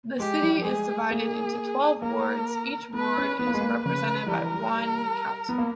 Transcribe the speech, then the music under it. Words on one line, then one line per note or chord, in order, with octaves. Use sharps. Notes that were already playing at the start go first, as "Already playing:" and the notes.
The city is divided into twelve wards; each ward is represented by one councillor.
G#3 G4
G3
G3
G#3 G#4
A#3 G#4
A#3 A#4
B3 B4
C#4
B3 B4
A#3
G#3
A#3
C#3 B4
G3
E3 A#4
G3
B3
A#3